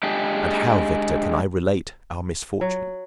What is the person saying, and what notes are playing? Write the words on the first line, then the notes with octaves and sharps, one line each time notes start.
And how, Victor, can I relate our misfortune?
G#3 D4 G4 G#4
F#3